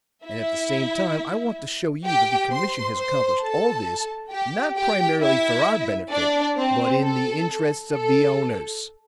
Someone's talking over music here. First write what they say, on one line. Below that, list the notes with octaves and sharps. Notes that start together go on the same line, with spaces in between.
And at the same time I want to show you that the commission has accomplished all this, not primarily for our benefit, but in the interests of the owners.
E4 E5
G4 G5
C5 C6
C5 C6
A4 A5
G4 G5
G4 G5
E4 E5
D4 D5
C4 C5
A4
A4